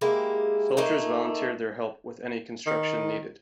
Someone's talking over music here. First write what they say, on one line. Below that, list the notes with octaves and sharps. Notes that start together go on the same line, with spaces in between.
Soldiers volunteered their help with any construction needed.
G#3 A#3 E4 G4
A3 A#3 D#4
D#3